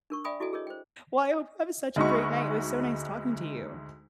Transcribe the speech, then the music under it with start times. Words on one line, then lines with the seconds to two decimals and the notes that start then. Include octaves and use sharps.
Well, I hope that was such a great night. It was so nice talking to you.
0.10 D4 A#4 C#6
0.24 D5 E5 G5 G#5 B5 D#6
0.40 E4 F#4 A4 D#5 G#5
0.53 G#4 A#4 C#5 D#5
0.67 C5 G5
1.96 D2 G#3 D#4 F#4 B5 C#6